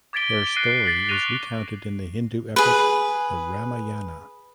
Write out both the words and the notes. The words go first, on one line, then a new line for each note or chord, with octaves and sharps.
Their story is recounted in the Hindu epic, the Ramayana.
D6 G#6 A6 B6 D7 G7
F#6 A#6 C7 D#7
A6 B6 F#7
C#6 F#6 A6 A#6 D#7 F7
G#4 B4